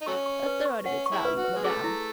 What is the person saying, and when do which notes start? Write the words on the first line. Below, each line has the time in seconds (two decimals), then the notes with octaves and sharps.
"A third of its value, madame."
0.01 D#4
0.06 F#3 A3 C#4 C#6
0.26 C#6
0.46 B4
0.65 C#6
0.85 C#4 F#5
1.06 C#6
1.12 G#3 C#4 E4
1.25 B4
1.38 F#4
1.44 B4
1.56 G#3
1.64 C#3 F#3 A3 G#4
1.84 E4